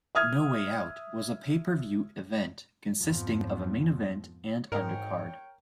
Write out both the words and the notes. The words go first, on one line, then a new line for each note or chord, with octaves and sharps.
No Way Out was a pay-per-view event consisting of a main event and undercard.
E5 D#6 F6 G#6
F2 G#2 F3 B3
G#2 A#4 C#5 G5